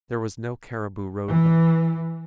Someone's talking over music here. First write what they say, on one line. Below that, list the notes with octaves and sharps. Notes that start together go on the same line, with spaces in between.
There was no Cariboo Road then.
E3